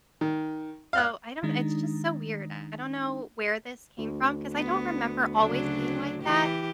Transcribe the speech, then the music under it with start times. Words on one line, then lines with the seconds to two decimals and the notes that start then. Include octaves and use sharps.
So, I don't it's just so weird, I don't know where this came from 'cause I don't remember always being like that,
0.21 D#3
0.93 F5 F#6
1.43 D#3 G#3 D4 D#4
3.98 D2
4.53 B3
5.36 C#3 F#3 D4
6.22 E3 G4